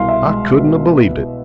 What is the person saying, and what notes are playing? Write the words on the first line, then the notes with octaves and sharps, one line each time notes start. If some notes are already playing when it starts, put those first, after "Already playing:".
I couldn't 'a believed it.
Already playing: C2 B2 F5 C6
E5
G#3
B2
B3